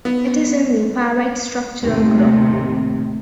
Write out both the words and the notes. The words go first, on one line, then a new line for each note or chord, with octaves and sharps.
It is in the pyrite structural group.
B3
D#2 A2 C3